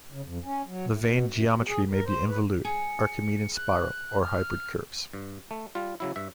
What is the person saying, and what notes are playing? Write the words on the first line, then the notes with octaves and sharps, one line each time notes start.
The vane geometry may be involute, archimedean spiral, or hybrid curves.
C#3
F2
C#4
F#3
A2
B2
F#2
B2
G#4
A#4
C5
B4
G#4 C#7
F#6
F6
G2
A3
G3 F4
C#3 F#3 E4
G2 E5